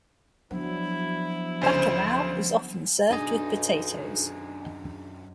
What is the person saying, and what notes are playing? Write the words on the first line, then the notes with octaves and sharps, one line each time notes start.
Bacalhau is often served with potatoes.
F3 F#3 B3 D4 E4
D2 C#3 C5
B1 F#2 D4 D#4 G#4 D#5 G#5